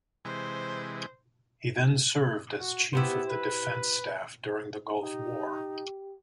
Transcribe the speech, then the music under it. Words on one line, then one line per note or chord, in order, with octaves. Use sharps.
He then served as Chief of the Defence Staff during the Gulf War.
C3 E3 G#3 C5
F#4
B3 E4 G4 C5
B4
D#4 G4